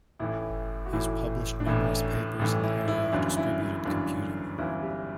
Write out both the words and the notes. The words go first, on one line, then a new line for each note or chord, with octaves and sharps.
He has published numerous papers in the area of distributed computing.
A1 A2 E3 E4
F#4
A1 A2 E3 E4
D4
A1 A2 E3 E4
A1 A2 E3
E4
E4
G1 F#2 E3 D4
E4
E4
G1 F#2 E3 D4
G1 F#2 E3 E4
G4